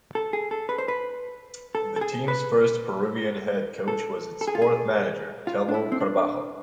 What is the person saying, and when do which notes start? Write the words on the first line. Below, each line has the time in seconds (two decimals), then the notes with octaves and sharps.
The team's first Peruvian head coach was its fourth manager, Telmo Carbajo.
0.15 A4
0.33 G#4
0.51 A4
0.69 B4
0.78 C5
0.88 B4
1.75 A4
1.96 A4
2.01 G#4
2.28 B4
3.88 A4
4.41 A4
4.47 G#4
4.55 F4
4.62 G#4
5.47 F4
5.68 D4
5.74 E4
5.92 C4
6.00 D4